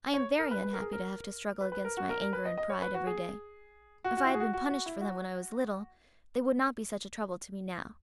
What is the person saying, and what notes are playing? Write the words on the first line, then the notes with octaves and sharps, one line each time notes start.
"I am very unhappy to have to struggle against my anger and pride every day; if I had been punished for them when I was little they would not be such a trouble to me now."
C#5
A#4
B4
B4
A#4
G#4
A#4
B4
B4
A#4
F#4
A#4
A#4
B4
D#5
D#5
C#5
B4
F#4
G#4
F#4
F#4
E4
F#4
G#4
F#4
F#4
F#4
E4
F#4